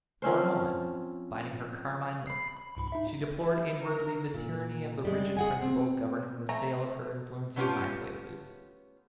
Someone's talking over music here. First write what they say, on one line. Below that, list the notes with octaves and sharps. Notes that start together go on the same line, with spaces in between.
For a moment, biting her carmine lip, she deplored inwardly the tyranny of the rigid principles governing the sale of her influence in high places.
F3 C4 C#4 C5
B5 C7
B5
C#2 G#2 B5
D#4 E5
E4
A#4
A#2
G3 G#3
G#4 F#5 G#5
C4
A3 A#5
A3 B3 C#4 E4 F4 G4